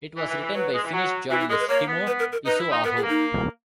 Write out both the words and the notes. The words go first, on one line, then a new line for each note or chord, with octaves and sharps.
It was written by Finnish journalist Timo Isoaho.
E3
E3
E3
F#3 B4
G#3
E3
F#3
E3 F#4
E4
G#3 A#4
B4
A#3 C#5
B3
B4
A#4
A#4
D#4 B4
E4
D#4
B3 A#4
G#4
A#3
D#4